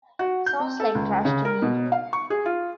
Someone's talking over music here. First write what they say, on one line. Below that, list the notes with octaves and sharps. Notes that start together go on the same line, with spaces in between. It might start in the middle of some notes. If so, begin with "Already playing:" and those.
Sounds like trash to me!
F#4
G6
C4
A4
C#2
C#3
A#4
B2
F5
C#6
G#4
F4